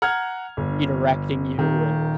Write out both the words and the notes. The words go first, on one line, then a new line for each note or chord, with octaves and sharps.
redirecting you, and
F#5 A#5 F6 G#6
G1
D#1 D#3